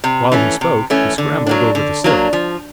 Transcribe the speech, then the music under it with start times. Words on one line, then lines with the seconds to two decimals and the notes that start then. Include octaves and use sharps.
While he spoke, he scrambled over the sill.
0.04 C3
0.32 E3 A3 C#4
0.61 C3
0.90 E3 A3 C#4
1.18 D3
1.46 F#3 A#3 D4
1.75 D3
2.04 F#3 A#3 D4
2.33 F3